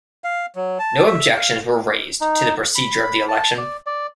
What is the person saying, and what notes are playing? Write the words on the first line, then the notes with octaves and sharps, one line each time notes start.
No objections were raised to the procedure of the election.
F5
F#3
A5
E5
F5
D#4
B5
B5
A5
D5
D5